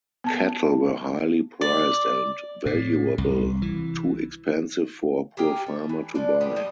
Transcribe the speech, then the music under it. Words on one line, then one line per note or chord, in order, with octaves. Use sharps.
Cattle were highly prized and valuable, too expensive for a poor farmer to buy.
B3 A5
D5
A2
C2
E3
G4 G#4 A#4 G5
A3
E3
F3 D4 D5
B3 D4 G4
F3 G3 D#5